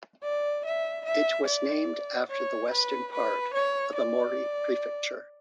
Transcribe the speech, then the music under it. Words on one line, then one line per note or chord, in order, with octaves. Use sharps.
It was named after the western part of Aomori Prefecture.
D5
E5
E5
D5
C#5
B4
B4
C#5
D5